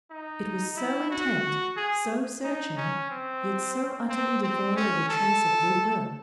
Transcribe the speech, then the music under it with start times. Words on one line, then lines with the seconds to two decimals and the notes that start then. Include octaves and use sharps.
It was so intent, so searching, yet so utterly devoid of a trace of good will.
0.11 D#4
0.77 E4
1.11 F#4
1.77 G#4
2.43 D#4
2.77 C#4
3.10 C4
4.09 C4
4.43 C4
4.76 C#4
5.09 A4